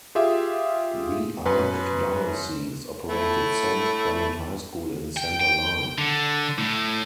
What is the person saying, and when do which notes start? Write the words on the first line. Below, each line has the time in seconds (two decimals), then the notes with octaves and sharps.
The archdiocese operated Saint Clement High School in Center Line.
0.15 F4 G4 G#4 E5
1.46 F#2 B4
3.09 A3 E4
5.17 G5
5.41 G5
5.98 D3
6.58 A2